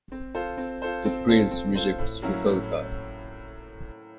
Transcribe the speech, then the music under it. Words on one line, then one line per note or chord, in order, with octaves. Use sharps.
The prince rejects Rusalka.
C4
F4 A4 C5
C4
F4 A4 C5
C4
F4 A4 C5
C4
F4 A4 C5
A2
F#3 A#3 C#4 E4
A2